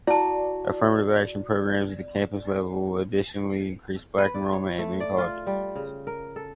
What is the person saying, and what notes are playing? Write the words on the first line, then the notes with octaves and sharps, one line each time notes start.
Affirmative action programs at the campus level additionally increased Black enrollment at many colleges.
E4 F#4 D5 A5
B4
D5
C#5
A3
D5
F4
G3
C#3
A#4
A4